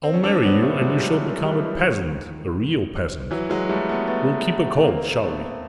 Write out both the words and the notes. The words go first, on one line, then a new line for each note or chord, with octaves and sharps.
I'll marry you, and you shall become a peasant, a real peasant; we'll keep a colt, shall we?
C4
C#4
C4 D4
B3 C#4
G3 A3
F#3 G#3
F3 G3
E3 F#3
G3
E3 F#3
D#3 F3
E3 F#3
F#3 G#3
G3 A3
A3 B3
A3 B3
B3
A#3 C4
A3 B3